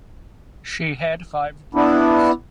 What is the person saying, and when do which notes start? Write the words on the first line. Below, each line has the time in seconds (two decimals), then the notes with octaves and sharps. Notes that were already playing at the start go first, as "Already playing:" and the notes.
She had five brothers.
1.75 B3 D4 E4